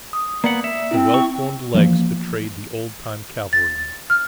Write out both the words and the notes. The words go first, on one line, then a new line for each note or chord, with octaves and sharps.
The well-formed legs betrayed the old-time calvalryman.
D#6
A#3 B3 D5 F#5
E5
C4 E4
C#6
E3 F3 A3 A#3
A6
F6